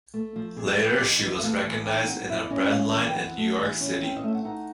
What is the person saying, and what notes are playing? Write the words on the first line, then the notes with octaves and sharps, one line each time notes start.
Later she was recognized in a bread line in New York City.
A3
F3
C3 G#4
G3 B4
D5
F2 D#5
E3
E5
A3 F5
E3
D#4 G5
C4 F#5
E4 E5
D5
C#4 D#5
E5
G#3 F5
E3
G5
C4 F#5
A3
E3
C#4
C4 G5
D#5
A3 E5
F#5
D#4 F#5